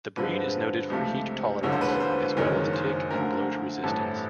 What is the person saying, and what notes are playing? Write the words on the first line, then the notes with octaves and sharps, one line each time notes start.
The breed is noted for heat tolerance, as well as tick and bloat resistance.
G2 D3 F3 G#3 C4 B4
C#2 C3 F3 A3 C4
E1 D#2 D3 F3 G#3 C#5
C5
B4
C5
C5
F#1 F#2 D#3 G#3 C#5
C5
D2 D3 F3 A#4
A1 G2 E3 A3 C4 A4